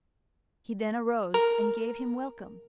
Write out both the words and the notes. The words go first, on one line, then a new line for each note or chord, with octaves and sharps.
He then arose, and gave him welcome.
A#4